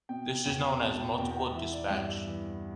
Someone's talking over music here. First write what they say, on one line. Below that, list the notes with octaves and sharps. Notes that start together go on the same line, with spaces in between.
This is known as "multiple dispatch".
B2 G5
E2 G5
B2 A5
G5
E2 G5
G5
F#5
E3 E5
D5
G2 E5
E5
E3